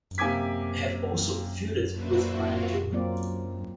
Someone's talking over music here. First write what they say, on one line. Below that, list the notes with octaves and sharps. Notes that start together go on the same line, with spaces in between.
They have also feuded with Brian Pillman.
C3 A#3 G#5 D6 G#6 B6
A#3 D4 F#4 B4 C5 E5
A#3 C4 F4 F#4 A#4
F#3 A#3 C4 F4 D5